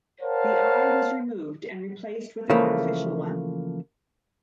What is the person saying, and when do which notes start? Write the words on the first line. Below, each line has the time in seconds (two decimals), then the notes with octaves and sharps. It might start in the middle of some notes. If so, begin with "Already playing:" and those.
The eye was removed and replaced with an artificial one.
0.21 A#4 C5 C#5 F5 F#5 A5
2.50 C#3 E3 F3 A3 A#3